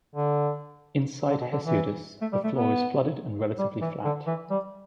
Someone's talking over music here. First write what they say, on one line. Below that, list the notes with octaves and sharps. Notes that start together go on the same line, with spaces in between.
Inside Hesiodus, the floor is flooded and relatively flat.
D3
D3
B2
D3
E3
A3
G3
A3
B3
G3
E3
D3
E3
G3